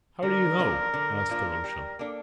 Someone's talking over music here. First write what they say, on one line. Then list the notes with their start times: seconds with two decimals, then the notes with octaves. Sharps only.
"How do you know?" asked Alyosha.
0.23 D3 A#4
0.58 F3 A#3 D4 F4
0.94 D3
1.29 F3 A#3 D4 F4
1.64 G3
1.99 A#3 D4 A4